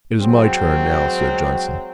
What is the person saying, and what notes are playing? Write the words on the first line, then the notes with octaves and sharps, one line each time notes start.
"It is my turn now," said Johnson.
F#3 G#3 C4